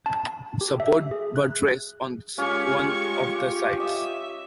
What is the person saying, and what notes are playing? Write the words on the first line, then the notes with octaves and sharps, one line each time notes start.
Support buttress on one of the sides.
A5
G4
E5
G#4
F#6
G#3 C#4 F4 G4 C#6
D#5 E5